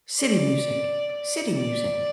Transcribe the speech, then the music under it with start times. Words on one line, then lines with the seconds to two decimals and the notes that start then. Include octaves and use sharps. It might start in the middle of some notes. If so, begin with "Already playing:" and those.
City music. City music.
0.20 D5
1.11 D5
1.56 D5